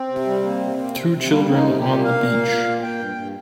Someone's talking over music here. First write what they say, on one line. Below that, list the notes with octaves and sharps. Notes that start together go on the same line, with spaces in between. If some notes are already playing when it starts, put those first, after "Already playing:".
Two children on the beach.
Already playing: C4
C3
G3
A#3
C3
A#3
C3
C3
C4
G3 A#3
A#3 C4
D#4
C3
A#2 G4
A#3
F5
A#2
A#3
A#2
A#3
A#3 G5
G2
G2